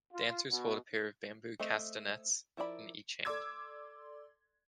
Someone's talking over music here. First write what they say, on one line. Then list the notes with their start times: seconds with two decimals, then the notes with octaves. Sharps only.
Dancers hold a pair of bamboo castanets in each hand.
0.12 F4
0.50 B2
1.60 A3 C4 C5 D#5
2.57 F3 E4 A#4 D5 B5
3.25 A4 D5 C6 D6 E6 G#6